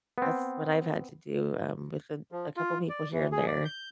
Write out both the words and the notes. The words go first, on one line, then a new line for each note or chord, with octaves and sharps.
That's what I've had to do, um, with a a couple people here and there
B3 C4
F3
F4
D5
E3
G#4
D5
G6